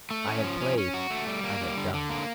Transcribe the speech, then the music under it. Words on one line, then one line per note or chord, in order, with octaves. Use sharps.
I had played--I had done.
A3
C#4
F3
C#4
C#4
F#4
A3
G3
A#3
G3
D3
D3
A#3